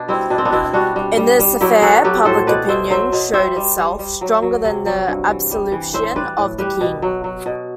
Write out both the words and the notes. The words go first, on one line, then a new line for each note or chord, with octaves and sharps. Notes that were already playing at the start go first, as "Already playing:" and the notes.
In this affair public opinion showed itself stronger than the absolutism of the king.
Already playing: B2 D4
G3 C4 E4
B2 D4
C4
B3 D4
B2 C4 E4
G3 D4 F#4
G3
G3
G3
F#3 E4 G4
F#3 F#4 A4
F#3 G4 B4
A2 A4 C5
B2 B4 D5
B2 C5 E5
F#3 C5 E5
B2
G3 C5 E5
G3
G3
G3
F#3
F#3
C3
F#3
G2
E3
G3
E3
A2 C5 E5
G3 B4 D5
A2
G3 G4 B4
B2
F#3
F#3
B2